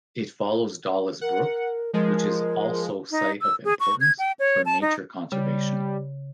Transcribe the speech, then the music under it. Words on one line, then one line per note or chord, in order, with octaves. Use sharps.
It follows Dollis Brook, which is also Site of Importance for Nature Conservation.
A#4 F#5
F3 G#3 A#4
D#4
E6
G#4
C#6
G#6
G5
C#5
A5
D#4
C#3 G3